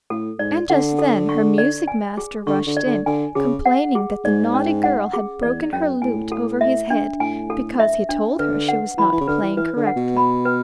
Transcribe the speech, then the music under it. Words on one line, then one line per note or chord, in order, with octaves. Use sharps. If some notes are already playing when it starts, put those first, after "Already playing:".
And just then her music master rushed in, complaining that the naughty girl had broken her lute over his head, because he told her she was not playing correctly.
A2 A4
G#2 D5
D3 F#5
A4
C#6
D5
G#5
G#4
D3 C#6
D3
D5
D3
D3 G#5
C#3 G#4
F#5
G#4
G#2 D5
C#4
F#5
G#4
E2 D5
F#2 C#4
A2 G#5
A4
E5
D4
A2 G#5
A4
E5
D4
D3 B4
F#5
E3 B5
E3
C#3
D3 B4
E3
E3 B4
D3
F#5
B2
B5
B4